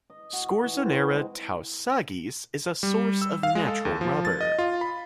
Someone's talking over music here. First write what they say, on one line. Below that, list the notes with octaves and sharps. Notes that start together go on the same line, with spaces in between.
"Scorzonera tau-saghyz" is a source of natural rubber.
D#5
F#4
E3
C4
D#4
G#3
G3
E6
F5
G#3
A4
D#2
F3
A6
D#5
F4
B5